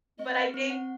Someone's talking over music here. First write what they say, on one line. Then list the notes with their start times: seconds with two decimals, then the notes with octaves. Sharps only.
But, I think
0.19 C4 D#5
0.36 B4
0.54 C4
0.70 F#5